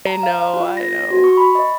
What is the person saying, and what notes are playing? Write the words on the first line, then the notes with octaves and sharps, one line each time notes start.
I know, I know.
A#5
F5
F4
A#6
F#4
C#6
B5
D#5